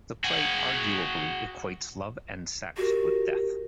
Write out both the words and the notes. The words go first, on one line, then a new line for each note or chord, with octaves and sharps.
The play arguably equates love and sex with death.
F#4 G#4
F#4 G4 A#4